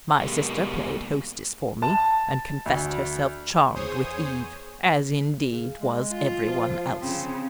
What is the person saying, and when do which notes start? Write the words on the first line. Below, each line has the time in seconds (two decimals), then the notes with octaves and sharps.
My sister played hostess for me and confessed herself charmed with Eve, as indeed was every one else.
0.21 B2 G3 G#3 A#3
1.82 A5
2.66 D2
3.75 E2 G#4 C5 C#5 D#6
5.48 C#3
5.80 G#3
6.12 F4
6.45 F3
7.02 C#3 C4